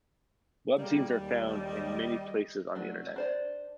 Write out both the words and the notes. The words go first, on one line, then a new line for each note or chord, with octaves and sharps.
Webzines are found in many places on the Internet.
G3 G#3 A#3 G4
D#2
D#5
F#3 A3 D4
D4 C5 D5